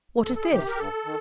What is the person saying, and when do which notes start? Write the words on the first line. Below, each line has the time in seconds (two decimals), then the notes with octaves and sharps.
"What is this?"
0.25 E2 A4
0.35 A4
0.43 G#4
0.52 C3 D#3 G4
0.68 A#4
0.79 G2 A4
1.05 D#3